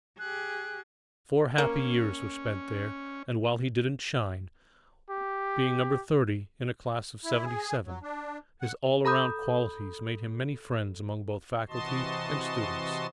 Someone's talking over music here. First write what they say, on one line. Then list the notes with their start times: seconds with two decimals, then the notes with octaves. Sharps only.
Four happy years were spent there--and while he didn't shine, being number thirty in a class of seventy-seven, his all-around qualities made him many friends among both faculty and students.
0.19 G4 G#4 F#6
1.58 A#3 C#4
5.10 G4
7.25 E4
7.46 G#4
7.85 F#3
8.03 D4
8.61 F#5
9.05 A4 A#5 B5 D#6 G6
11.69 C3 E3 F#4 D#5 A5 C6